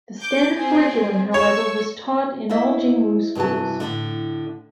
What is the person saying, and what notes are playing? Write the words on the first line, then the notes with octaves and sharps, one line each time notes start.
The standard curriculum, however, was taught in all Jing Wu schools.
D6 G6
C4 G#4
C#5 C#6 E6
E4 C5 D#5 E5
G2 C3 E3 F#4 A5
A2 D3